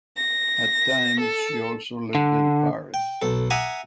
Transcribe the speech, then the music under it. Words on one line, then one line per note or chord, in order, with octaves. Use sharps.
At times she also lived in Paris.
A#6
A4
D3
G5
B1 A4
E5 F#5 G#5 A#5 D6 D#6